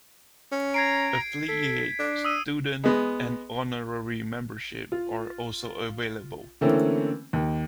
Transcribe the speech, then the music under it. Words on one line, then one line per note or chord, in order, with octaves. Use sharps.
Affiliate, Student and Honorary membership are also available.
C#4
A#5 G#6 C7 D7
A4 B6
D4
D#6 E6 D#7
G#3 B3
F4
D3 E3 A3 A#3 C4 C#4
D#2